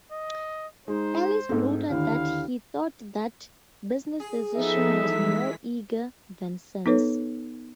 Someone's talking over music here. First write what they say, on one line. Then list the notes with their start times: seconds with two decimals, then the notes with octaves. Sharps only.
Ellis noted that he thought that business decision was more "eager than sense".
0.11 D#5
0.88 G#3 D#4 C5
1.49 G#2 A3 C4 A4
1.89 D#2 D3 E4 F5
4.20 G#4
4.55 F3 B3 D#4 A4 E5
5.00 E3 G#3 B6
6.86 B3 D#4 A4 B4 C#5